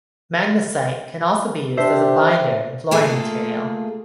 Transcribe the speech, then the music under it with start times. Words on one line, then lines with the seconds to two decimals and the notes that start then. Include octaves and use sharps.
Magnesite can also be used as a binder in flooring material.
1.77 D4 G4 C5 E5
2.91 A3 A#3 F4 G#4 A4